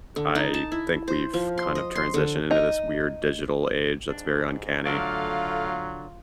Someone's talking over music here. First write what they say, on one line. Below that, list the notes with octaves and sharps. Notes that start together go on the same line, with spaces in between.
I think we've kind of transitioned into this weird digital age that's very uncanny,
D3
D#4
A5
E4
C5
F3
C6
D#5
C6
D3
D#4
G#2 D4
D3 F#3 A3 F4 A4 D5 F5